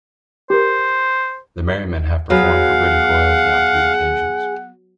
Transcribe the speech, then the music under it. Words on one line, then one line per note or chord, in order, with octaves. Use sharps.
The Merrymen have performed for British Royalty on three occasions.
G4 A#4 C5
F#3 B3 G#4 F5 F#5